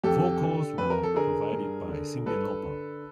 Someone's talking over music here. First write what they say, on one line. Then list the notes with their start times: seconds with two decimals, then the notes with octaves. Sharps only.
Vocals were provided by Cyndi Lauper.
0.03 F2 G4 A4
0.41 D3
0.78 F2 B4
0.90 A#4
1.03 A4
1.14 D3 G#4 A#4
1.52 G2
1.89 D3
2.26 G2 A4 B4
2.63 D3